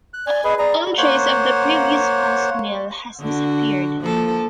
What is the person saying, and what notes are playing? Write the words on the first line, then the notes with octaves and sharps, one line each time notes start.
All trace of a previous post mill has disappeared.
F#6
D5 G#5
G#4 B4 D#5
G#4 D5 A#5
A#3 C5 C#5 F#5
D3 F#4
F3 A#3 A4